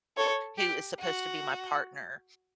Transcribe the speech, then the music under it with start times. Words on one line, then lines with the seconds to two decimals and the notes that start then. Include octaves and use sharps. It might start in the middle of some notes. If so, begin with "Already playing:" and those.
who is supposed to be my partner
0.17 A4 C#5
0.58 G4
0.99 F#4